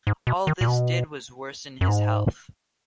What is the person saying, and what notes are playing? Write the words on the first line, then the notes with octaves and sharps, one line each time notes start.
All this did was worsen his health.
G#2
B2
D#3
A#2
B2
F#2
G#2